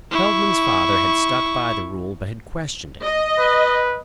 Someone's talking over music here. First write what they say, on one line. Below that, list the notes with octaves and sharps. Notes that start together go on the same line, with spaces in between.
Feldman's father had stuck by the rule but had questioned it.
E4 C#6
D#5
B4